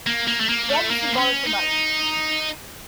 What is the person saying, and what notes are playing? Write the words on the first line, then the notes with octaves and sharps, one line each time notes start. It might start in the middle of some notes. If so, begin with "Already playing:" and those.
Bread is symbolic for life.
A#3
A#3
A3
A#3
A3
A#3
C4
C#4
D#4